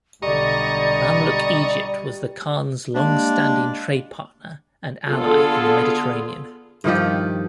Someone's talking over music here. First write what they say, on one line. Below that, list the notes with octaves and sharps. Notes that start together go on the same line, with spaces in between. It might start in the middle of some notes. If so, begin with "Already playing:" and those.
Mamluk Egypt was the Khans' long-standing trade partner and ally in the Mediterranean.
B1 D3 G3 D5 D#5 A#5 C#6
G3 G#3 A#3 D4
D3 B3 F4 G#4 A4
G2 D#3 F3 G4